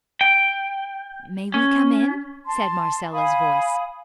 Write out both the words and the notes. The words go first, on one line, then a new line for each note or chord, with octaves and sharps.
"May we come in?" said Marcella's voice.
G5
C#4
A5 C6
F5 G#5 B5 D#6